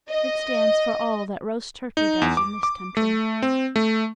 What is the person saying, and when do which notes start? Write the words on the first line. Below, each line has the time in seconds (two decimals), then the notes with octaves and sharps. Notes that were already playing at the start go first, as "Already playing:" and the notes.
It stands for all that roast turkey does in this country.
0.10 D#5
1.97 D#4
2.22 E2
2.37 D6
2.63 D6
2.97 A3
3.42 C4
3.76 A3